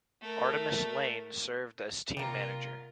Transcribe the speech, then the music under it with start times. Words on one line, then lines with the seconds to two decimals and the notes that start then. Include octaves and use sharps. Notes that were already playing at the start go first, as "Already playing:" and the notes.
Artemus Lane served as team manager.
0.21 A3 A#4
2.17 C3 G3 A#3 F4 A#4